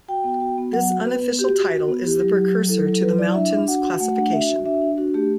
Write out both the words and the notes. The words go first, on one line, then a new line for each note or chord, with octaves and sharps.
This unofficial title is the precursor to the mountains classification.
F#4 G5
B3
F#4
B3
F#3 F#5
F#4
B3 B4
B3
F#4 G4
F#4
F#4
B3
E4 G4
F#3
F#3
F#3
E4 A4
F#3
A4
F#3 B4
E4 D5
D4 E5
D4
F#4 F#5
F#4
A3 F#5
D4 F#5
F#4 E5
F#4
D4 E5
D4
D4 F#4
A3 G4